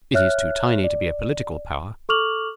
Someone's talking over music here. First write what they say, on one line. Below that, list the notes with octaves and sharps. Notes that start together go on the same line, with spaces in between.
It is too tiny to be a political power.
C#5 E5 F6 F#6
D5
A4 C#6 D6 F6 F7 F#7